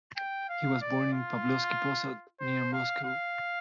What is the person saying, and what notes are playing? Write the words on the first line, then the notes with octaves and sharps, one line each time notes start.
He was born in Pavlovsky Posad near Moscow.
G5
F5
D5
F4
C5
F5
F5